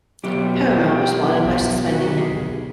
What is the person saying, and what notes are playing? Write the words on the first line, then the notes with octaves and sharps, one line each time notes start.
Paramount responded by suspending him.
B2 F#3 B3 G4
G4
G#4
G4
F#4
G4
G#4